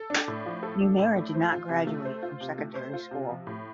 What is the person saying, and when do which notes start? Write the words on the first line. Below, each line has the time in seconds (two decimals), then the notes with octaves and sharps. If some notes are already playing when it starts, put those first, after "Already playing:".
Nomura did not graduate from secondary school.
Already playing: A4
0.10 D4
0.28 A2
0.46 F3
0.63 A4
0.81 D4
0.99 A2
1.16 A3
1.34 C5
1.52 F4
1.69 C3
1.87 A3
2.05 C5
2.23 F4
2.41 C3
2.59 A3
2.75 C5
2.93 F4
3.11 C3
3.29 F3
3.47 A2